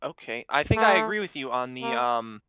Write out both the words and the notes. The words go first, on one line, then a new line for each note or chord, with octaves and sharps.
okay I think I agree with you on the, um,
A3
A#3